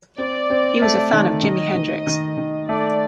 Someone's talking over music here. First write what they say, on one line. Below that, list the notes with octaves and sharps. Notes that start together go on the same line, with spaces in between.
He was a fan of Jimi Hendrix.
C4 D5
C4
A3
D#3
D#3 D#5
D#3
D#3
D#3
A3 D5